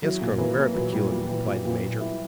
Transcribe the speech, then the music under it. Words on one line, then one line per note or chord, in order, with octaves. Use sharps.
"Yes, colonel; very peculiar," replied the major.
F#3 E4
A#2
E3 A#3
A#3
A#2 F#3
A#2 G3
A#2 F#3
A#2 E3
A#2
A#2
A#2
E4